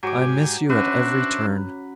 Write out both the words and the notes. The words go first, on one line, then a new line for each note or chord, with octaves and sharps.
'I miss you at every turn.
G#2 F#3 G4 G#5 D6
C#4 D4 F#4 B4 C5 E5